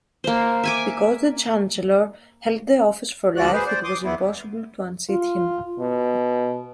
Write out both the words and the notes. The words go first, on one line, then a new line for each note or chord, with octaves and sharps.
Because the chancellor held the office for life, it was impossible to unseat him.
A#3 C5
E5 G#5 D6
D2 G#3 F#4 D5 F#6
G#4 B4 C5
C5 D5
C6 D6 D#6
E2 B3 E4
F4
B2